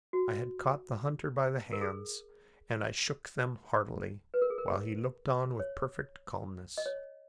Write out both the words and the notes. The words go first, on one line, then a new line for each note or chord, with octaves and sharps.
I had caught the hunter by the hands, and I shook them heartily, while he looked on with perfect calmness.
F#4
A#4
G#4
B4
A#4
G#4
A#4
C#5
D#5
C#5